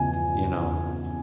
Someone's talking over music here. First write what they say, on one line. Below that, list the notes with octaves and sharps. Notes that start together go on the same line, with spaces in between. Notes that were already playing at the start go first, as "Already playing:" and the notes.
you know,
Already playing: E2 C#3 G#5